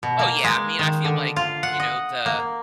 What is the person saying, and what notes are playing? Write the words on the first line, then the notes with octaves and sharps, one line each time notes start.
Oh, yeah, I mean, I feel like, you know, the
B2
A#3
G#3
D#3
D3
F4
F#5
D#5
A#3